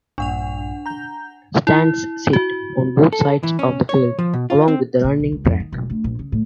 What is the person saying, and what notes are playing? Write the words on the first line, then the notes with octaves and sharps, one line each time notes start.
Stands sit on both sides of the field along with a running track.
A#1 G2 A#2 D4 F#5 F7
A#5 G6
E4
F#4
A4
E3
C#4
C#5
F3
B2
F4
C4
A#2
B1
C#2
F2
D#3
E1
D2
A#1
C#3
A2